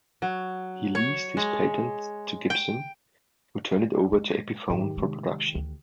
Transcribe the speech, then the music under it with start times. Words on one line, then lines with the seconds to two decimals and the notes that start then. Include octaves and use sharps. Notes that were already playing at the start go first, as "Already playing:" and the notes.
He leased his patent to Gibson, who turned it over to Epiphone for production.
0.22 F#3
0.95 C#5
1.37 G#3
2.50 G5
4.13 G#3
4.70 G#2 D#3 G4
4.97 C3 G#3
5.55 D2